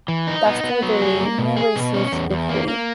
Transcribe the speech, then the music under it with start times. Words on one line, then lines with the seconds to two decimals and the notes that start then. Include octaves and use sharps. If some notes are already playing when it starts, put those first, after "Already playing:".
Dastardly never sees victory.
0.08 E3
0.27 D#4
0.46 B3
0.64 B3
0.82 F#3
1.02 G#4
1.20 A#3
1.38 B2
1.57 G#4
1.76 B2
1.94 C#4
2.12 E2
2.30 E2
2.49 A#3
2.68 A#3